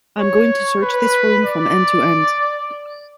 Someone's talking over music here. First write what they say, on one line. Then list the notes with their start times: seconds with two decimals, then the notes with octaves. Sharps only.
I'm going to search this room from end to end.
0.18 C#5
0.82 B4
1.45 D5